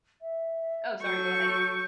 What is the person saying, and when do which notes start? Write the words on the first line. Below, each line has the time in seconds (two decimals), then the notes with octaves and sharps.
Oh, sorry, go ahead.
0.20 E5
1.01 F#3 A4 C#6 G6